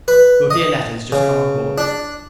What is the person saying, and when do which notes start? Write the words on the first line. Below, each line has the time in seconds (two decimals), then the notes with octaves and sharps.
Your dear letters just come on board.
0.08 B4
0.51 D#5
1.12 C#3
1.78 D4